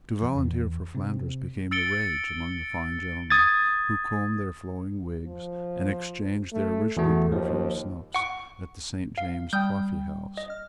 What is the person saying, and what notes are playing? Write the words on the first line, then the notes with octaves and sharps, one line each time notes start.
To volunteer for Flanders became the rage among the fine gentlemen who combed their flowing wigs and exchanged their richly perfumed snuffs at the Saint James's Coffeehouse.
F2
E2
C3
E6 A6 C#7 D7 G7
D#6 G#6 A6
F3
A3
E2 A3 F#4
D#2 F3
F#5 C#6 D7
F5
G3 G5 D#6 F6 G6
D#5
F6